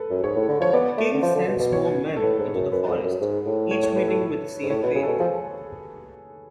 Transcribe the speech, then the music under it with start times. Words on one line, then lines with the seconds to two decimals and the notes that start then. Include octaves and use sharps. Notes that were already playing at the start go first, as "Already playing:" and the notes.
The King sends more men into the forest, each meeting with the same fate.
Already playing: A4 B4
0.10 F#2
0.23 G#2 C#5
0.36 A2
0.49 D3
0.60 F3 C#5
0.73 B3 D5
0.98 A3
1.14 D3
1.22 F3
1.35 D3
1.48 B2
1.60 B2
1.72 C#5
2.17 A4
2.22 A2 B4
2.39 G#2
2.55 F#2
2.72 F#2 B4
2.88 F2
3.04 F#2
3.21 G#2
3.46 A2
3.71 C#5
3.83 C#5
3.96 B4
4.08 A4
4.63 G#2
4.70 A2 C#5
4.83 B2
4.87 B4
4.95 C#3 G#4
5.03 B2 A4
5.19 F3 G#4